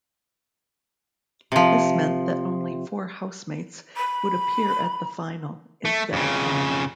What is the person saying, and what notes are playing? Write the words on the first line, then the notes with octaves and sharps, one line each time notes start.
This meant that only four Housemates would appear at the final, instead of five.
C3 F3
B5
A3
F2 C#3